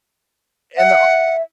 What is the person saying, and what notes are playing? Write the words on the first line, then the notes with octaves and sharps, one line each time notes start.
and, uh o
E5 F#5